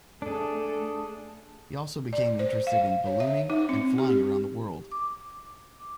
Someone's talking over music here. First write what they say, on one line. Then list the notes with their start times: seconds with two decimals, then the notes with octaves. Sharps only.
He also became interested in ballooning, and flying around the world.
0.22 A3 D4 G#4 A4
2.13 D5
2.39 C5
2.67 F5
3.06 C#5
3.20 E5
3.50 D#4
3.69 C4
3.98 G4
4.92 D6